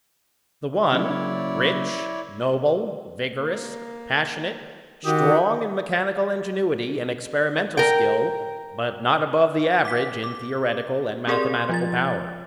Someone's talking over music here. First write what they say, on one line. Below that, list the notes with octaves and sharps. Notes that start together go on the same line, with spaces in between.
The one, rich, noble, vigorous, passionate, strong in mechanical ingenuity and experimental skill, but not above the average in theoretical and mathematical power.
C#3 F#3 A#3 E4 C#5 D5
A#3
D#3 F#4 G4 D#6
A#4 G5
D6 B6
D6
C4 G4 G#4 A#4 D5 C6
F3 F4 A6